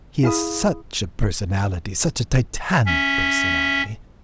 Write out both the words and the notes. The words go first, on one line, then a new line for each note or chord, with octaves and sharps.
He is such a personality, such a titanic personality!
E4 G#4 F5 B5 D#6
C#4 E5